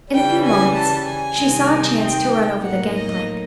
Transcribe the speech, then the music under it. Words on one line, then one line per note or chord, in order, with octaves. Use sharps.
In a few moments she saw a chance to run over the gangplank.
C#3 E3 G3 G5
G#5
A5
G#5
C3 D#3 G3 C4 D#4
G5
A2 F#3 A#3 D#4 F#5
D#5